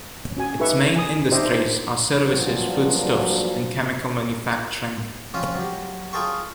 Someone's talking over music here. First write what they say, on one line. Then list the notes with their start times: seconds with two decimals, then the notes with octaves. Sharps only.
Its main industries are services, foodstuffs and chemical manufacturing.
0.37 C#4 F#4 G#5
0.59 D#4 G4 A4 B4 E5 C#6
0.96 G#5 D#6
1.31 D4 D#4 G4 C5 D#5 E5
1.45 C5
2.25 G2 A#2 F3 F#3
5.34 F3 C4 C#4 F4
5.55 F#3 G4
6.13 F4 G#4 A4 G5 C6 C#6